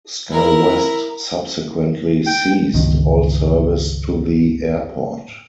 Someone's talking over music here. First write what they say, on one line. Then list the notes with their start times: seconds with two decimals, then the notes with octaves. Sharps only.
SkyWest subsequently ceased all service to the airport.
0.32 E4 A#4
2.26 G5
2.74 G1 C#2 D#3